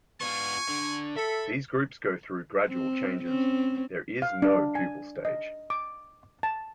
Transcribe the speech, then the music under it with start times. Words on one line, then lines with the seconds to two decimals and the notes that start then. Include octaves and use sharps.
These groups go through gradual changes; there is no pupal stage.
0.21 B3 F4 G#5 C#6
0.69 D3
1.17 A4 E5 B5
2.69 C4
3.24 C4 C#4
4.22 F5
4.42 D4
4.75 G#5
5.25 D#5
5.70 D6
6.43 A5